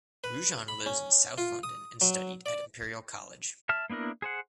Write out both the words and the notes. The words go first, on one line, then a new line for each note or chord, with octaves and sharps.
Rajan lives in South London and studied at Imperial College.
B4
B5
C#4
F4
D#6
F#3
D5
E5 A5 F6
A#3 B3 D4 E4 A#4
G#4 C5 F#5